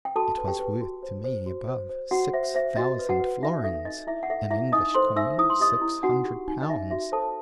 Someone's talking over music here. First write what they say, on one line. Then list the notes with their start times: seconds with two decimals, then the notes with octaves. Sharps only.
It was worth to me above six thousand florins, in English coin six hundred pounds.
0.05 G5
0.16 F#4 A4 A5
0.38 B4
0.48 G4 G5
0.59 B4
0.81 F#4
1.03 C5
1.24 C5
1.46 F#4
1.68 C5
1.89 C5
2.11 F#4 F#5
2.33 C5 E5
2.55 C5 E5
2.76 F#4 D#5
2.99 B4
3.09 F#4 F#5
3.20 B4
3.43 D#4 E5
3.63 A4 E5
3.85 D#4 D#5
4.07 E4 E5
4.23 F#5
4.30 A4 E5
4.51 E4 E5
4.72 D#4 D#5 D#6
4.95 A4 C5 C6
5.16 D#4 E5 E6
5.38 E4 D#6
5.50 C6
5.60 G4 D#5 D#6
5.81 E4
6.03 D#4 F#4 F#5
6.25 G4
6.48 D#4
6.62 D#5
6.69 D#4 E5
6.91 F#4 E5
7.12 A4 C5 A5